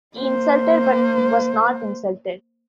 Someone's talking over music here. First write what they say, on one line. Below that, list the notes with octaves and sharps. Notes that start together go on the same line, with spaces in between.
He insulted but was not insulted.
A#3 C5